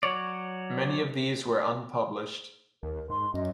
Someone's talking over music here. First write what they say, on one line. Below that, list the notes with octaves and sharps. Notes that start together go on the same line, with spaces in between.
Many of these were unpublished.
F#3 C#5 D5
D#2 A#4
G#2 C6
F#2 D#5